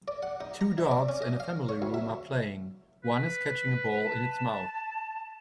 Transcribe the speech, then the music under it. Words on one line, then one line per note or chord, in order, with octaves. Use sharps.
Two dogs in a family room are playing, one is catching a ball in its mouth.
D5
F#5
D#4
A#5
E5
D5
C#4
D#5
F5
C#5
D2
E5
B4
A5